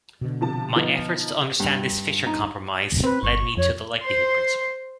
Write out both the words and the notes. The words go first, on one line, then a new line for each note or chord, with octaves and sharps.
My efforts to understand this Fisher compromise led me to the likelihood principle.
B2 D3
C3 F3 A5
F3 B3 D#4
G2
D#4
C4 B4
G1 C#6
F2 C#5
C5 C6